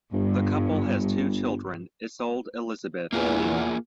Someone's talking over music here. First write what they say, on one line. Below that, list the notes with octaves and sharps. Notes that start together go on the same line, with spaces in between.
The couple has two children, Isolde Elisabeth and Nemo.
G1 G2
E2 A#3 F4 G#4